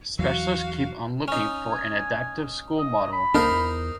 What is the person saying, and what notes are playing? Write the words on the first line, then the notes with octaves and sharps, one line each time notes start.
Specialists keep on looking for an adaptive school model.
E2 E3 F#3 F#4 F5
C#4 D#4
G#5
D#5
B5
C#2 A#3 D4 D#4 A#4 C5
E2